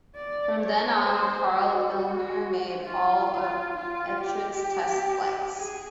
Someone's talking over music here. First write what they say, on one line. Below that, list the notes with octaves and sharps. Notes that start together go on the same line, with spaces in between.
From then on, Karl Illner made all of Etrich's test flights.
D5
C#5
C5
F#4
F4
F4
F4
G4
G#4